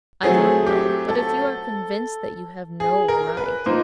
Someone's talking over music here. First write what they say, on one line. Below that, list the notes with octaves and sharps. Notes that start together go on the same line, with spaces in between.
"I don't know; but if you are convinced that you have no right..."
F#3 A3 C4 G#4
G4
A4
G#4
A#4
B4
F3 A#3 D#4 C5